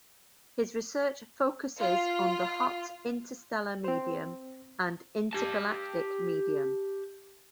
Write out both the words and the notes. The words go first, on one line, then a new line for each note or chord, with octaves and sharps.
His research focuses on the hot interstellar medium and intergalactic medium.
F4
C4 C5
G4 A5